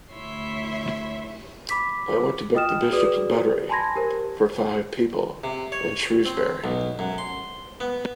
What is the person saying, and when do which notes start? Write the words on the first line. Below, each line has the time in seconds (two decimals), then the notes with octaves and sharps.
I want to book The Bishops Buttery for five people in Shrewsbury.
0.13 D2 E4 C#5 E5 C6
1.70 B5 D6 B6
2.54 F4 D#5 G5 D#6 F6 E7
2.92 F#4 G#4 B4 D5 D#6
3.69 G#5 A5 B5 C6 G#6 A#6
3.96 G4 A#4 C5
5.44 C3
5.72 C#5
6.25 C4
6.64 B1
6.99 F#2
7.18 C6
7.80 B3